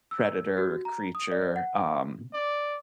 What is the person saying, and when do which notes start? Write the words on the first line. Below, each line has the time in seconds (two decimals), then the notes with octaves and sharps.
predator or creature, um,
0.11 E6
0.58 F#4
0.85 A#5
1.15 D#6
1.32 D5
1.56 F#5
2.34 D5